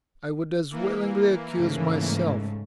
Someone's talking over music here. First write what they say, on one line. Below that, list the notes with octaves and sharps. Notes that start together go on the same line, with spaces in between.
I would as willingly accuse myself!
E3 A#3
G#2 C#3 A3